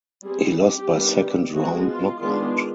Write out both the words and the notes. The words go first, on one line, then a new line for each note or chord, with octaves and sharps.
He lost by second-round knockout.
G3 C4 G#4
G4
D#3 G3 B3 D4
F3 G#3 B3 F#4
F4
D#3 G#3 B3 D4 F4